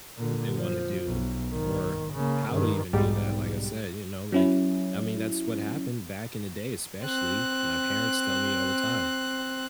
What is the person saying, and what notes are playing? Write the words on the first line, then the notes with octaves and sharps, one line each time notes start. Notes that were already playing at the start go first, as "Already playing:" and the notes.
what they wanna do, or how to even do that, like I said, you know, like, I mean, that's what happened back in the day, especially. My parents tell me all the time,
A#2 D3
F3
B1
G#1 D#3
C#3 A#3
G2 D#3
B1 G#2 G3
F#3 C#4 E4
C4 F#6